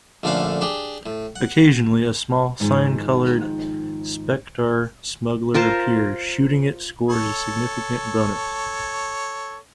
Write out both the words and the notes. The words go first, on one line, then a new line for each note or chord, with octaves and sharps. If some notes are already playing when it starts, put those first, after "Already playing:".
Occasionally, a small cyan-colored "Spectar Smuggler" appears; shooting it scores a significant bonus.
A#1 D3 A3 C#4 F5 F#5
D4 G4 G#4
A2
F#5
G#2 D#3 F3 G#3
F4 A#4 C5 A5
A4 C#5